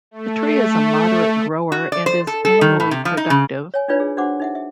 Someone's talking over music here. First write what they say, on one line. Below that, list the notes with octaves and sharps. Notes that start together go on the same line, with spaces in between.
The tree is a moderate grower and is annually productive.
A3
F#4
D5
C5
A4
A4
D#3
A2
C3
F3
D#4
C#3
C#5 G#5
D4 D#4 F4 B4 C#5 D5
G#4
D4 F#4 C5 F#5 D6
D#4 E5 F#5
E5